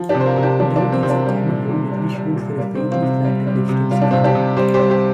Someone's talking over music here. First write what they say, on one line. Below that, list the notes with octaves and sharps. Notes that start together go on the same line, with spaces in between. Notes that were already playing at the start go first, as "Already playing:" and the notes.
"Dun" is a common Old English word for a fairly flat and extensive hill.
Already playing: F3
D4 G4
C3
C5
F4 A#4
C3 A#4
D4 G4
F3 D4 G4
A#3 D4
F3
C4
C3 C4
A#3 D4
G3
A#2
A#2
G3
G3
A#2
G3 A#3
C4
C3
C4 F4
C3
G3
G3
C3
G3 F4
D4
C3 C4 F4
D4 G4
C3
G3 G4 C5
G4 C5
G3
G4 C5